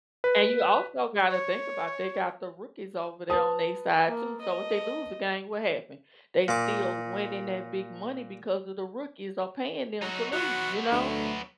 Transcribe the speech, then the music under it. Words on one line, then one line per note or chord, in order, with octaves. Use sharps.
And you also gotta think about they got the rookies over there on their side too, so if they lose the game, what happened? They still winning that big money because of the rookies are paying them to lose, you know?
B4
C#5
B4 A5 D#6
A#3
D#5
A#2 D6
F#3 D#4 F#4
F#3 B3 F#4
D2 A3